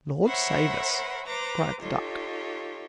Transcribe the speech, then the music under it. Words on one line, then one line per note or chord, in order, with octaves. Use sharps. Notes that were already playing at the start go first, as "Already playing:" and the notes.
"Lord save us!" cried the duck.
A#4 C5 C#5 E5 F#5 B5
B4 C5 A#5 D6
D#4 F4 G4 A4 C#5